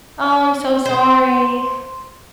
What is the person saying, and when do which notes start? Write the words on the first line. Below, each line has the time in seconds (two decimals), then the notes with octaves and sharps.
Oh, I'm so sorry.
0.86 C5